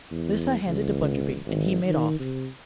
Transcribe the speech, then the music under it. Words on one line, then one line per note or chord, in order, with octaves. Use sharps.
This I handed to Bunderby and he made off.
E2
C#2
G#1
D#3
C3